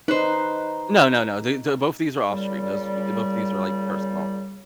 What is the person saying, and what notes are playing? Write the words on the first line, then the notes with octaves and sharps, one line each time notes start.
No, no, no, the the both these are off-stream, those e both of these were, like, personal.
D#4 B4 C5
A#2 C#3 G3